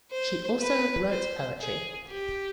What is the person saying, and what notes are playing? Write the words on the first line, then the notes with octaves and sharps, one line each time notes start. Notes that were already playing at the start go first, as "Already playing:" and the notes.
She also wrote poetry.
C5
B4
C5
G#4
G4